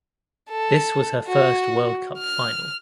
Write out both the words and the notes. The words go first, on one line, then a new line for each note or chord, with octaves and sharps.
This was her first World Cup final.
A4
F#4
F6